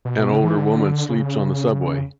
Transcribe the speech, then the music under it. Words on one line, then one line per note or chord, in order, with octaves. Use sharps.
An older woman sleeps on the subway.
B2
B2
C#3
E3
D3
C#3